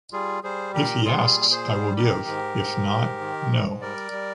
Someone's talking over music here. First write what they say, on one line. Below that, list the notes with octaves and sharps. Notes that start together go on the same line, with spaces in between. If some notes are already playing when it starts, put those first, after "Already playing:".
If he asks, I will give. If not, no.
G3 F4 G#4
G3 G#4 C5
A#2 G4 A#4
G3 F4 G#4
A#2
G#4 C5
G3
D#3 G4 A#4
G#2
G#2
G#2
D#3
G#2
G3 A#4 D5
G3